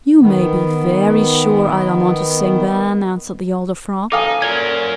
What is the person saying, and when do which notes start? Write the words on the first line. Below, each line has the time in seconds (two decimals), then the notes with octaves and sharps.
"You may be very sure I don't want to sing then," answered the older Frog.
0.21 D#3 B3
4.12 F#1 D#4 A4 F5 G#5 D6 D#6
4.42 A#2 C#4 A#4 G#6